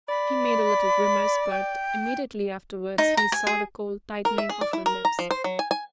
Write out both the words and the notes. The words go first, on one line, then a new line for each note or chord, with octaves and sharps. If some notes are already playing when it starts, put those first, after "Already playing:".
She made a little grimace, but immediately afterwards he saw the cold tightening of her lips.
D5 B5
G5
D#4
A#5
G#5
G#4
A#4
E5
G#4
D5
E4
A#4
A#5
F3
C5
F#3
G#5
G#5